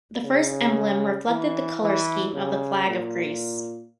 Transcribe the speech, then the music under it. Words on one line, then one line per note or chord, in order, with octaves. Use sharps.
The first emblem reflected the colour scheme of the Flag of Greece.
C#3
E3
E3
C#3
A#2